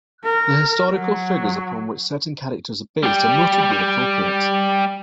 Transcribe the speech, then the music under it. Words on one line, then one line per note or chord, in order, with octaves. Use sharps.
The historical figures upon which certain characters are based are noted where appropriate.
A#4
F#3
G3 G5